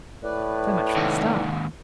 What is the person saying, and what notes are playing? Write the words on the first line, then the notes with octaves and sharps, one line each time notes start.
So much for the "Star".
A2 B4 D5
D#2 G#2